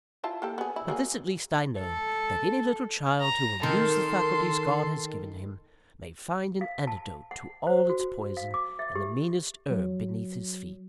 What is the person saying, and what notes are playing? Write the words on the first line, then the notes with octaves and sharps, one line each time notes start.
But this at least I know: that any little child, who will use the faculties God has given him, may find an antidote to all its poison in the meanest herb beneath his feet.
E4 F4 A5
A#3 G4 A4
B3 G#4
E4
F#3 A#3 G#4
A4
A#5
D#3 A4 C6
F5
A5
F#5
C5
F#4
F5
D6
E5
G4
F#3